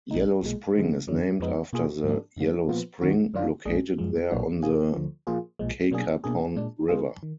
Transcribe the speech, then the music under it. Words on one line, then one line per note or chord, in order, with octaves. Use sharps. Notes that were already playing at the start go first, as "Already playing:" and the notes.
Yellow Spring is named after the "Yellow Spring" located there on the Cacapon River.
A#1 A#2 G#3 D#4
B1 A#2 G#3
F#2 D3 G#3
F2 D3 F#3
F2 F3 G#3 B3 D#4
B2 A#3 F4 G#4
G#2 F3 A#3 D4
F#2 D3 F#3 A#3
A#2 F3 B3 F4
D#2 D#3 A#3 D#4 F#4
F#2 D#3 F#3 D4 F4
A#1 A#2 G#3 D4 G#4
F#2 F3 G#3
B1 A#2 F#3 D4 F#4
B2 A#3 F4 G#4
D2 D3 F3
A#2 F3 A#3 F4 G#4
B1 A#2 F3 G#3
B2 F#3 A#3 D4 G#4
B2 A#3 D4 G#4
A#2 G#3 D4
D3 G#3 B3 F4 G#4
D#3